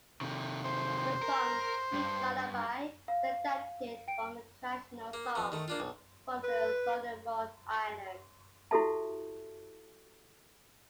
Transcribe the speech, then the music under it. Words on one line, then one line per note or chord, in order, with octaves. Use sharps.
The song "Sweet Lullaby" is adapted from a traditional song from the Solomon Islands.
C3 D#3
C5
A#4
G2
F5
G5 D7
A#3
F2 B3
D#3 A3
A#3 D4 F4
B1
B4
E4 F#4 G4 A4 E5 A5